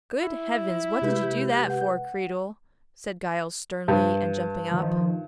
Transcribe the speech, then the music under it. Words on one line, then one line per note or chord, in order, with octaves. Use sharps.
"Good heavens! what did you do that for, Creedle?" said Giles, sternly, and jumping up.
E4
C3 G#3 G4 B4 G6
F#5
G2
D#3 F3